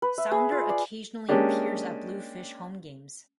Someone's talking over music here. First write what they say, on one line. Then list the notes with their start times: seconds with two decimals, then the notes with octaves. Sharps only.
Sounder occasionally appears at Bluefish home games.
0.02 B4
0.18 E5
0.32 G#4
0.52 F4
0.69 D5
1.29 G#3 A#3 C#4 D4 G4